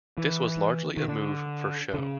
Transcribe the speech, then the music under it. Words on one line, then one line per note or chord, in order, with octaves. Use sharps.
This was largely a move for show.
E3
D#3
D3
D3
C#3